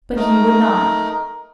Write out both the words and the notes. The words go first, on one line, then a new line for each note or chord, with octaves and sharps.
But he would not.
A3 D#4 A#4